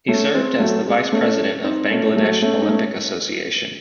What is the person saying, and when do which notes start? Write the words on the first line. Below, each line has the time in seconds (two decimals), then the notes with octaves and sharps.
He served as the Vice President of Bangladesh Olympic Association.
0.08 A3 C#4
0.34 G#3 C4
0.60 F#3 A3
0.86 G#3 C4
1.12 A3 C#4
1.64 C4 D#4
1.91 A3 C#4
2.11 G#3
2.17 F#3 A3
2.42 A3 C#4
2.62 D#4
2.68 A3 C#4